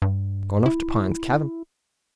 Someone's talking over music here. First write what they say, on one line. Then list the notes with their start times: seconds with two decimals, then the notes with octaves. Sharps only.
Gone off to Pine's cabin!
0.02 G2
0.66 E4